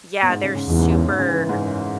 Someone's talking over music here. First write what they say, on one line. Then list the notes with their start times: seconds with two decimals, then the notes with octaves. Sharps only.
Yeah, they're super
0.22 B2
0.30 G#2
0.43 C#3
0.55 C#3
0.68 E2 B2
0.79 G#2
0.89 F#2
1.09 G#2
1.19 C#3
1.28 E3
1.39 E3
1.49 G#2
1.61 F#2